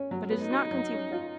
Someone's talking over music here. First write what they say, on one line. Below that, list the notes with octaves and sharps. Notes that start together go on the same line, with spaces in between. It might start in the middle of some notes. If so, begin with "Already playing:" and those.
But it is not conceivable.
Already playing: C#4
F#3
B3
D#4
F#4
F#3
C#4
F4